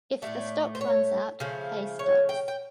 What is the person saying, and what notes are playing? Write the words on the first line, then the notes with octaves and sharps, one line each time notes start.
If the stock runs out, play stops.
A2 F#3 A3 D5
C5
C#5
C#3 F3 A3
C#5
G5
G5